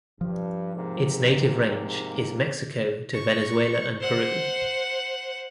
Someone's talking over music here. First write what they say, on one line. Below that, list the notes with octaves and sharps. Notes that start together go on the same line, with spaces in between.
Its native range is Mexico to Venezuela and Peru.
G2 F3
G#2 C3 A#3
C#6
C5 F#5